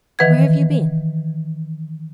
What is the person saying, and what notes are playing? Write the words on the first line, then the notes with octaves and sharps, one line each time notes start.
Where have you been?'
D#3 E3 B4 F#5 G#6